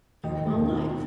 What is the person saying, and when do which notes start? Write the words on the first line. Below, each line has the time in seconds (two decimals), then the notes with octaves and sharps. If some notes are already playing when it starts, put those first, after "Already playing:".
I have my own life."
0.24 D#2 D#5 G5
0.39 D#3
0.54 D#2
0.70 D#3
0.85 B2